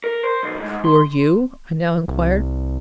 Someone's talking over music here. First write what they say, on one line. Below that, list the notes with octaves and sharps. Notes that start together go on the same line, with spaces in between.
"Who are you?" I now inquired.
A#4
C5
B1
G#2
C6
C2